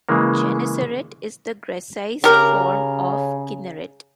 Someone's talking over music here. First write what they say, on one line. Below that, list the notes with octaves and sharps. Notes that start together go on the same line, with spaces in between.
"Gennesaret" is the Grecized form of Kinneret.
C#3 E3 G#3 A#3
C#3 G4 A#4